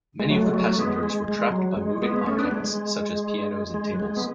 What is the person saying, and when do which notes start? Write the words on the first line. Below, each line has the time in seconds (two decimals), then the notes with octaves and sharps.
Many of the passengers were trapped by moving objects such as pianos and tables.
0.20 G#3
0.29 F#3 A3
0.47 G#3
0.54 F#3 A3
0.68 A3
0.78 G#3 B3
1.03 G#3
1.28 G#3
1.52 F#3
1.77 G#3
2.02 G#3 B3
2.16 B3
2.26 A3 C#4
2.39 B3 D4
2.51 G#3
2.64 G#3
3.74 G#3
3.93 F#3
4.00 G#3
4.17 B3